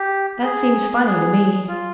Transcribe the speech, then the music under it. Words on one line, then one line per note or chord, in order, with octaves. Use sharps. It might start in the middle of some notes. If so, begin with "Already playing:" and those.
That seems funny to me.
Already playing: G4
G#4
G#4
F4